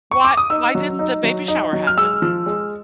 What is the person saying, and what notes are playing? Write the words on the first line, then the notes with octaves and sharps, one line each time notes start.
Why why didn't the baby shower happen?
C#6
D6
D#6
D#4 E6
F#3
D#4
F#3
D#4
F#3
F6
G#3 E6
F3
G#3